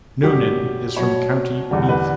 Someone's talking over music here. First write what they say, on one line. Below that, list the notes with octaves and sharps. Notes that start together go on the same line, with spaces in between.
Noonan is from County Meath.
G2 F#3 G4
B2 F#3 C#5
E2 D3 G3
B4